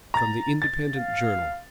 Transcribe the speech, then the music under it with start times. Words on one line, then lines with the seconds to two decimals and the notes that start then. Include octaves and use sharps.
From The Independent Journal.
0.14 A#5 A6
0.62 A6
0.96 F5